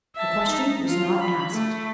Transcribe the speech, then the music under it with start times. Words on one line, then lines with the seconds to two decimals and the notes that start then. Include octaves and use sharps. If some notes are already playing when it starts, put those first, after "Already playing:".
The question was not asked.
0.16 E5 A5
0.49 D#4
0.86 F4
1.21 B5
1.52 A3